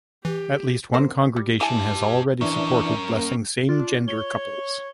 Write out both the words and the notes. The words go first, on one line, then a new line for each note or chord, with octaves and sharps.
At least one congregation has already supported blessing same-gender couples.
E3 G4
C4 A#4 C5
G3
E4 G4 G#5 A5
E3 C#4 D4 A#4
A#3
D4 F4
C#5 G7